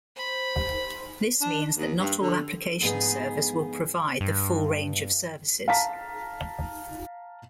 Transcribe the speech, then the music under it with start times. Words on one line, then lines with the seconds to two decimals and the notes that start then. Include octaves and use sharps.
This means that not all application servers will provide the full range of services.
0.17 C5 B5
1.41 D4
1.77 D#2
1.99 G2
2.22 D3
2.81 D2 G#2 F3 B3 D#4 G#4
4.21 G2
5.68 F5 A5 A#5 B6